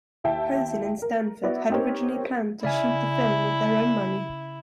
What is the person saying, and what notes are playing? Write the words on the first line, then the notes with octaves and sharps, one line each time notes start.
Posin and Stanford had originally planned to shoot the film with their own money.
D#2 E4 E5 G5 A5
A#4
B3 E4 F#4 D5
C4 D#4 G4 A#4 C#5
C#3 E4 D5 E5 G#5